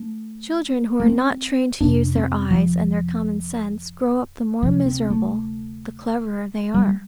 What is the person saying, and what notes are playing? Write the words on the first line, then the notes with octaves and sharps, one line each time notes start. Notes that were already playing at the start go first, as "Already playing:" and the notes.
Children who are not trained to use their eyes and their common sense grow up the more miserable the cleverer they are.
Already playing: A3
A3
C4
F2 C3 D4
C4
F3
D2 C3 F3
C4
A3
G3